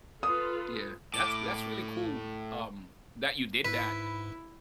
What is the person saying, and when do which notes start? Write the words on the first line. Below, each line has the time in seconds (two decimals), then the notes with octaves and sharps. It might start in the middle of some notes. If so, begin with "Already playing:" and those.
Yeah, that's that's really cool, um, that you did that,
0.23 F4 A4 B4 D#6
1.14 A2 D6
3.65 G#2 E4 B4